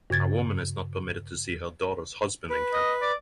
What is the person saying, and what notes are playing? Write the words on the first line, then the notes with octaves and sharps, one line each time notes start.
A woman is not permitted to see her daughter's husband in camp.
G2 C#3 G#6 A6
B4
D#5
D5